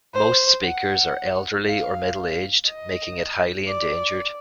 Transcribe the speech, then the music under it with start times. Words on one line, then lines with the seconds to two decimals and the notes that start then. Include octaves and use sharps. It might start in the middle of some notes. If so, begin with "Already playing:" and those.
Most speakers are elderly or middle-aged, making it highly endangered.
0.14 C5
0.64 F#5
1.66 F5
2.67 D#5
3.67 D5